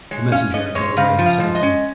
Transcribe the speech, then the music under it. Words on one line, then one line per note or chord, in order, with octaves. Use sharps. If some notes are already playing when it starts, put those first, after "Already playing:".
The messenger had got away in safety.
G#3 C#5
C#4 F5
C#4 D#5
G#3 C#5
C#3 F5
F3
F5
G#3
D#5
C#4